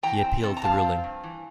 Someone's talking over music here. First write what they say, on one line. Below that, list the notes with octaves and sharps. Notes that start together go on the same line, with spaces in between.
He appealed the ruling.
E3 G5 A#5
C4
C3
A#5
F3 F5 A5
C4
G2
E3